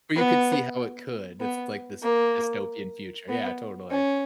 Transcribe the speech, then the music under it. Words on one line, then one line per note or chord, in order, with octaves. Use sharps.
But you could see how it could, it's, like, this dystopian future, yeah, totally.
B3
B3
A#3
B3
C#4